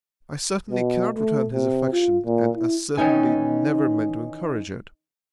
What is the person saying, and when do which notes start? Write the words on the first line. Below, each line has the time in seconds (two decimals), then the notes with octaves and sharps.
"I certainly cannot return his affection, and as certainly never meant to encourage it."
0.70 B2
1.15 A3
1.53 C3
1.93 F4
2.25 A#2
2.57 E4
2.97 D#3 E3 C#4 D#4 G#5